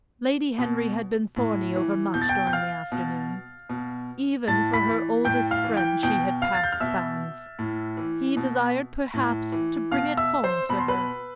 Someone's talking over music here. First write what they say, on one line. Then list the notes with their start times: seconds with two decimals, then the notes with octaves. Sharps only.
Lady Henry had been thorny over much during the afternoon; even for her oldest friend she had passed bounds; he desired perhaps to bring it home to her.
0.58 B2
1.36 A2
1.76 E3
2.14 B2 G6
2.22 A6
2.29 G5 G6
2.47 G6
2.53 F5 F6
2.92 B2
3.69 B2
4.47 A2 A5 A6
4.73 B5 B6
4.87 E3
5.25 A2 G5 G6
5.51 F5 F6
5.64 E3
5.77 G5 G6
6.03 B2 G5 G6
6.42 F5 F6
6.54 A6
6.64 G6
6.72 F6
6.80 B2 E5 E6
7.59 A2
7.97 E3
8.37 B2
9.14 A2
9.52 E3
9.91 B2 F5 F6
10.17 E5 E6
10.44 C5 C6
10.69 B2 B5
10.79 C6
10.88 B4 B5